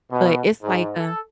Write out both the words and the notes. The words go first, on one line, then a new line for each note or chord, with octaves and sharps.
but it's like a
B2
G#2
A4